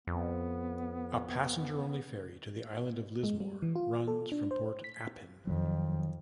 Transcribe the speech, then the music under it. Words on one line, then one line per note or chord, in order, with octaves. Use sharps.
A passenger-only ferry to the island of Lismore runs from Port Appin.
F2 B3
G#3
G3
E3
F4
A4
D4
C5
B6
F2 D#3 F#3